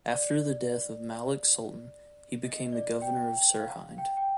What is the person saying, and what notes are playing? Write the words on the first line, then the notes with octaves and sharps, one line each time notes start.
After the death of Malik Sultan, he became the governor of Sirhind.
D5
D#5
D5
G5
F5
G5
G5